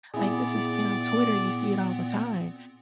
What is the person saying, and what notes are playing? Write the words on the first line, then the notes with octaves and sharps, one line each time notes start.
Like, this is, you know, on Twitter, you see it all the time.
A#2 B3 C4 E4 G#4 D5